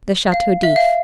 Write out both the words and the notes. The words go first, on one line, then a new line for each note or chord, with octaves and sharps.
The Chateau D'If.
F5
E5
F5